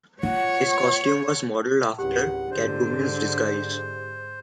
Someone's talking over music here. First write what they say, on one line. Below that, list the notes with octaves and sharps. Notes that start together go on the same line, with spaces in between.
His costume was modeled after Catwoman's disguise.
F4 C#5 F#5
G#1 C#2 E4 G4 F#5
G#2 D3 C5